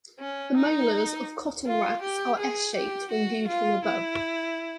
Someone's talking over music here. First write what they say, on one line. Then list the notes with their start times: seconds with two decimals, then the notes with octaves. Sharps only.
The molars of cotton rats are S-shaped when viewed from above.
0.19 C#4
0.56 D#4
1.66 F4
2.01 G4
2.39 G#4
2.75 G4
3.11 F#4
3.47 F4
3.84 E4